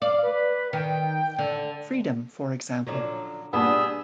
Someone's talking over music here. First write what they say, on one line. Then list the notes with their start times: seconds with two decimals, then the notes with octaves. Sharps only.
Freedom, for example.
0.02 D5 F5
0.22 B4
0.73 D#3 G5
1.39 D3
2.87 A#2 D3 F3 F#3 C#4
3.53 G2 A#2 G3 B3 D4 G#4 B4 E6